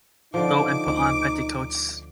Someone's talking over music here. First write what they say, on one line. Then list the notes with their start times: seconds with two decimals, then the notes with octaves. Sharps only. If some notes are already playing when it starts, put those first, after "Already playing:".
Go and put on petticoats.
0.34 D3 F3 D#4 D6
0.87 D2